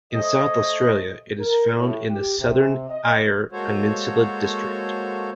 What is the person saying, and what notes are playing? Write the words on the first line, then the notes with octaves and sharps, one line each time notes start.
In South Australia it is found in the southern Eyre Peninsula district.
A3 C5 C#5 D#5
A#4
A2
G4
C3
D#5
G#3 A#3 F#4 A4 C5 C#5